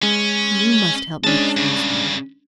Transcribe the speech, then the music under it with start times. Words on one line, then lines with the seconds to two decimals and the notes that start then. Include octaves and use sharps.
You must help me choose one.
0.03 G#3 C#4
1.24 G#3 C#4 D4 D#5 A5
1.57 G2 C#3